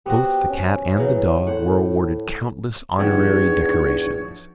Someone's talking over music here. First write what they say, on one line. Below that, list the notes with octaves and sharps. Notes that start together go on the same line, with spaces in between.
Both the cat and the dog were awarded countless honorary decorations.
B3 C4 F#4 G4
C#4
C#3 E3 F#3
A2 C5 C#5 F#5
E2 G#2 D3 F3 D4 D#4 G4 C#5